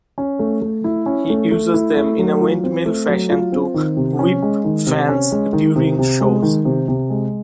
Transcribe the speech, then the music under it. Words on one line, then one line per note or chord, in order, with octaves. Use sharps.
He uses them in a windmill fashion to whip fans during shows.
C#4
A3
A3
E4
C#4
A3
A3
E4
A3
F#3
F4
C4
A3
F#3
F4
C4
D#3
C3
C#4
G#3
D#3
C3
C#4
G#3
D#3
C3
C3
G#3
D#3
C3
C3
G#3